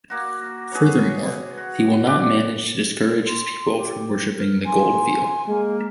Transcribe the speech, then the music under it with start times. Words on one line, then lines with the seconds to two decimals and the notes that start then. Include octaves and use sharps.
Furthermore, he will not manage to discourage his people from worshipping the gold veal.
0.10 A#3 F#4
0.71 G#4 B4 C#5
1.57 F#4
2.07 G4 B4 D5
3.27 C6
3.78 G4
4.33 A#4
4.66 G#5 C6
5.48 G#3 A#3